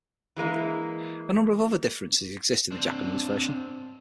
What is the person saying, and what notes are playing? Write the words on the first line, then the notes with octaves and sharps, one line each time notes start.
A number of other differences exist in the Japanese version.
E3 G#3 A#3 E4
C4 D4